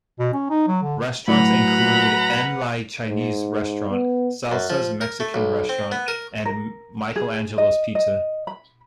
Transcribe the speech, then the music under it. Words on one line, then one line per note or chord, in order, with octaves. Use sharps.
Restaurants include En Lai Chinese restaurant, Salsa's Mexican restaurant, and Michael Angelo's Pizza.
B2
C#4
D#4
F#3
D3
A2 F#3 F#4 B4 F#5 A#5 B5
G#2
B3
F#2
F3
A#4
A3
B1
C4
B3
A#4
A#4
G#4
D#5
D#5
B5